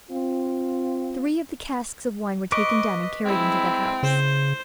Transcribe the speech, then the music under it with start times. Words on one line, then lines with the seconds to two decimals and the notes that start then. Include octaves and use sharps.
Three of the casks of wine were taken down, and carried into the house.
0.11 C4 F4
2.52 B4 D#5 C#6 D6
3.25 G#3 C4 E4
4.03 C#3 C5